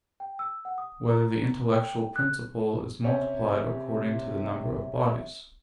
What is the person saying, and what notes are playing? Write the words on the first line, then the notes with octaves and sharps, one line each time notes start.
Whether the Intellectual Principle Is Multiplied According to the Number of Bodies?
G5
E6
F#5
D#6
A#5
G5
F#6
C3 C4 C#4 E5